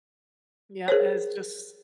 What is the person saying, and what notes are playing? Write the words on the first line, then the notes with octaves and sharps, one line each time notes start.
Yeah, it's just
G#4 A#4 C5 C#5